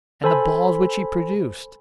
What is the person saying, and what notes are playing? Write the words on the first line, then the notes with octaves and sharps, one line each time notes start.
And the balls which he produced!
A4 C5 G#5 B5